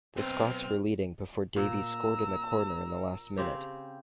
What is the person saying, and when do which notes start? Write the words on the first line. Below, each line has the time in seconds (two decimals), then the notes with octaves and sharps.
The Scots were leading before Davies scored in the corner in the last minute.
0.17 B1 C4 F6
1.56 A#2 A#5 E6
3.37 C#3 C4 G4